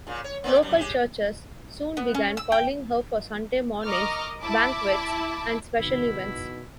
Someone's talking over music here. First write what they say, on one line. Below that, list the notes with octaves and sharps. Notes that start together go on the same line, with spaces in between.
Local churches soon began calling her for Sunday mornings, banquets and special events.
A#2 C#3
C#5
A#3 C4 D5
F#2 G3
G#3 G4
B3
C#4
E6
G5
A#4 D#5 A#5 C#6 D6 F6
E4 E5 A5 B5 D6
B2 D3 D#4 E4